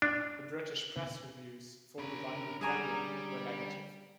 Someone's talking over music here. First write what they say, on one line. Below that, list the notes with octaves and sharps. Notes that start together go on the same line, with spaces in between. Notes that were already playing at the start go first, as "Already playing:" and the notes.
The British press reviews for the London premiere were negative.
D4
D3 C#4 A#4 B5
G3 G#4 G#5 A#5